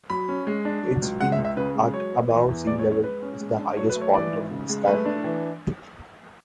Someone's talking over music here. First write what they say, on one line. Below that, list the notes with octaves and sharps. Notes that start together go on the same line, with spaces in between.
Its peak at above sea level is the highest point of Istanbul.
F#3 B5
C#4
G#3
D4
F#3
C#2
G#3 F#5
E5
C#2
E5
C#3 B4
G#3
F#3 C#5
B3
E3
E2
G#3 D5
C#5
C#4
C#5
G#3 B4
C#4
G#3
D4
F#3 C#5
B4
A3
C#5
E3 D5
G#1
C#3
G#3
A3 B4
D4
E3